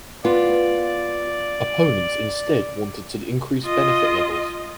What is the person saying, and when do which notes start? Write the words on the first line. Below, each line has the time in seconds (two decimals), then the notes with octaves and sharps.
Opponents instead wanted to increase benefit levels.
0.25 B3 F4 D5
3.64 F4 D#5